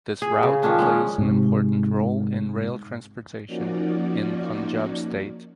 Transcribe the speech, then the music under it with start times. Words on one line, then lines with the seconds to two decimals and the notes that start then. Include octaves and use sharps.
This route plays an important role in rail transportation in Punjab state.
0.22 G#4
0.43 C#3
0.63 D#3 F3 C#4 D4
0.79 G#3 C#4
1.18 G#2 C3
3.47 F3 A#3 C#4 D#4 F#4 D5